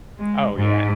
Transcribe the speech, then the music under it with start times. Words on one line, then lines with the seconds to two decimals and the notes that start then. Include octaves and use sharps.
Oh, yeah.
0.19 G#3
0.54 G#2